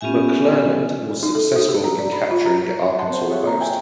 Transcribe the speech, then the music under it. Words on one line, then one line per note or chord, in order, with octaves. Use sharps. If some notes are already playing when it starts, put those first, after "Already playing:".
McClernand was successful in capturing Arkansas Post.
B3 C#4 F4 G4 E5 G#5
D#4
A4
F#4
G4
A#5
D5
B5
F4
A#5
F#5 A5 C6
C4 C5
F4 G4 G#4 C#5 E5 F#5
A#3 A#5
E5 G5 G#5